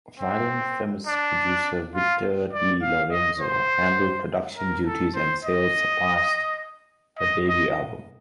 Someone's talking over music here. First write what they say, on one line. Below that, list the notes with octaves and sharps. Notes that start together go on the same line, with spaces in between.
Violent Femmes producer Victor DeLorenzo handled production duties and sales surpassed her debut album.
C4
D4
F4
D5
F5
D#5
C5
A#4
A4
C5
D#5
D#5
D#5